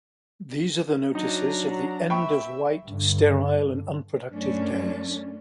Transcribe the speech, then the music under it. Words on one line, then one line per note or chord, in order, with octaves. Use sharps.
These are the notices of the end of white, sterile and unproductive days.
F#3 D4 D#4 A#5
E5 G5 B5 C#6
G2 D3
F#2 A3 C#4 D4